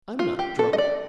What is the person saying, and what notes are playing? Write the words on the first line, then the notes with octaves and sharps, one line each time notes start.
I'm not drunk.
F4
G4
A4
D#5
D5